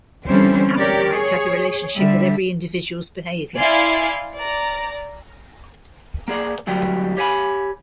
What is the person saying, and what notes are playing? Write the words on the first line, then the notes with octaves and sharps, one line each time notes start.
Appetite has a relationship with every individual's behavior.
D3 E3 G3 C4 C#4 C5
G4 A#4 C#5 D5
G#4 C#5
D3 G3 D4 E5
E4 D5 F5 G#5 C6
D5 A#5
A#3 G#4 D5
D2 F#3 G3 G5
G4 C#5 F5 G#5 B5